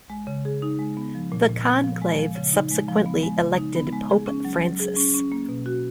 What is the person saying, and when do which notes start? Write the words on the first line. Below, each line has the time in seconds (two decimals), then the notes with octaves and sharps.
The conclave subsequently elected Pope Francis.
0.10 G#3
0.27 C#3
0.45 G#4
0.62 D#4
0.79 G#3
0.97 B3
1.15 F3
1.32 A#2
1.49 A#2
1.66 B3
1.84 F3
2.02 G#3
2.19 F3
2.35 C#3
2.53 D#4
2.71 G#3
2.88 F3
3.06 B3
3.23 G#3
3.40 C#3
3.57 D#4
3.75 B3
3.93 G#3
4.10 G#4
4.27 C#4
4.45 F#3
4.62 F#3
4.80 G#4
4.96 C#4
5.15 C#4
5.32 A#3
5.49 B2
5.66 F#4